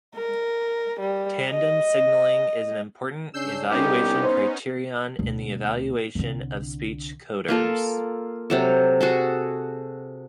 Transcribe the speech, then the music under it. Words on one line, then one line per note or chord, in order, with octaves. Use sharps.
Tandem signaling is an important evaluation criterion in the evaluation of speech coders.
A#4
G3
D#5
C#3 C#4 D4 E6 G6 C7
C2 B3 C#4 D#4 G4
C5
D2 B2
C2 D3
A#3 F4 A4
C3 F#3 A4
F#4 G#4 A4